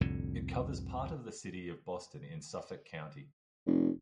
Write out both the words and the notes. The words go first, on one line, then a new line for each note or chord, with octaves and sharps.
It covers part of the city of Boston in Suffolk County.
C2 F2 A2 D3
F1